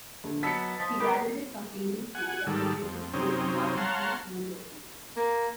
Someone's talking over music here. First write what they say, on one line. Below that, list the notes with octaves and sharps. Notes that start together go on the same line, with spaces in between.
He graduated from Pingry School, a preparatory school in Martinsville, New Jersey.
A#1 D3
F#3 B3 D#5 A5 E6 A6 B6 C#7
F3 D#5 B6
A#3 B3 G4 A#4 B4 B5
F#5 G#5
G#2 D#3 G3 A4
F2
F#2 C3 C4 C#4 D#4
C#5 F5 F#5 A5 A#5 C6
A#3